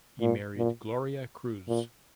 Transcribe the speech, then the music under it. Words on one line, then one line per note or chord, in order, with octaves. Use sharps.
He married Gloria Cruz.
A#2
A#2
A#2